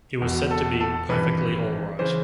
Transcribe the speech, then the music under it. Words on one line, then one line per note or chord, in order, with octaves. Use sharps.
He was said to be "perfectly all right".
E1 E2 B2
A4
A4
G#1 G2 E3 B4
C#3 E3 C5